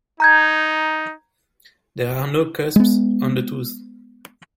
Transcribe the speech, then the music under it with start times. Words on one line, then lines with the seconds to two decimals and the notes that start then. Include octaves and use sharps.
There are no cusps on the tooth.
0.20 D#4 A#5 G6 G#6
2.76 G#3 B3